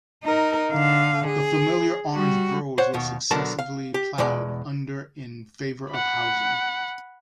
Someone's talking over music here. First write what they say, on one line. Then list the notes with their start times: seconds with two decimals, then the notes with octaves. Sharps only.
The familiar orange groves were successively plowed under in favor of housing.
0.24 D#4 A#4
0.72 D3 F5
1.27 G#4
2.14 G3 F#4
2.78 C5 C#5 F#5
2.94 D#2 B2
3.31 B2 D3 F#3 F#4 A#4 A5
3.59 F5
3.94 G4
4.18 E2 B2 G#3 D5
5.91 F#5 B5